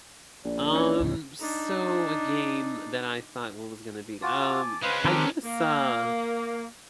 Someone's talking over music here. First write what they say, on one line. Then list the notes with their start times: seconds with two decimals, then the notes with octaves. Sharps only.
Um, so a game that I thought was gonna be, um I guess, uh,
0.45 A#1 D5
0.73 C#4 D#4 C#5
1.01 D2 A2 C#3
1.40 D4 D#4
4.22 F4 F#4 G#5 A5 D6
4.83 G#3 C#4 B4 C5 F5
5.05 D#3 C4 G4 A4 A#4
5.43 A#3